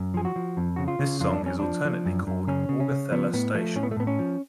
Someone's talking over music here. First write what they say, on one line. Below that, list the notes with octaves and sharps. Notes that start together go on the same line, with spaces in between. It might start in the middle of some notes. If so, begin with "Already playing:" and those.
This song is alternately called "Augathella Station".
Already playing: F#2
F3 G#4
F#4
F3
F2
C#3 F#4
F4
C#3
F2 F4
D4
F2
C#4
F3 D4
F3
F#2
F#2
C#3 C#4
C#3
C#4
C#3
F3 B3
A2 B3
F3 A3
A2 C#4
B3
A3
A2 B3
C#4
F3